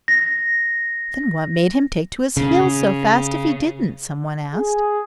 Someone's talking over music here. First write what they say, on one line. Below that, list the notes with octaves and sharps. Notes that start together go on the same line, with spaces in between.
"Then what made him take to his heels so fast if he didn't?" some one asked.
A#6
C#3
G#4